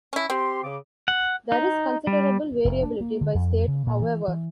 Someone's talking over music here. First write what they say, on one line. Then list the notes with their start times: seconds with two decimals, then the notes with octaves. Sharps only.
There is considerable variability by state, however.
0.13 C#4 E4
0.30 C4 G4 C6
0.64 C#3 D6
1.08 F#5
1.52 D#4
2.07 G3
2.65 F1
2.83 D4
3.01 A#3
3.21 D3
3.34 F2
3.67 C#3
3.87 A#2
4.02 E3
4.28 E3